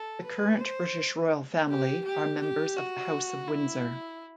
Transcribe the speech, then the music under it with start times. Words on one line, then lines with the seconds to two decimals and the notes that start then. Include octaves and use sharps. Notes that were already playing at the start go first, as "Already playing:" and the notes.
The current British royal family are members of the House of Windsor.
Already playing: A4
0.24 B4
0.60 C5
1.69 G4
2.05 G4
2.40 G4
2.76 F#4
3.48 E4